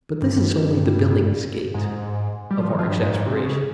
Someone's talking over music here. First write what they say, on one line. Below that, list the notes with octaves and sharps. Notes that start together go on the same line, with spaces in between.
But this is only the Billingsgate of our exasperation.
G2
G#2
G3
F3
D#3
F3
G2
G#2
G#2
C3
C#3